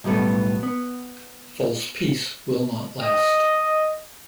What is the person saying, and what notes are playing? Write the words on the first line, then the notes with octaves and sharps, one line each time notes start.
False peace will not last.
B1 A2 G3 B3 A4
B3
D#5